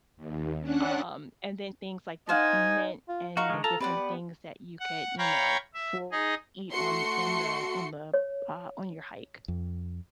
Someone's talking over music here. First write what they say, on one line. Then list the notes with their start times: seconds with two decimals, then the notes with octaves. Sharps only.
um, and then things like the mint and the different things that you could, you know, for eat on on the on the uh, on your hike.
0.17 D#2
0.61 C#4 D4 F#5 F#6
2.29 D#4 C5 F5 F#5 G#5
3.09 F4
3.37 D#4 F#4 A#4 F5 C#6
3.50 D3 G#3
3.64 F4 A4 A5 A#5
3.80 C4 G4 B4 D5 F#5
3.97 B3
4.80 F#5
5.18 C#5 F5 G5 A#5 B5 C#6
5.74 E5
6.12 D#4 G#4 D#5
6.71 A3 F#4 C6 C#7
8.14 C#5
9.48 F2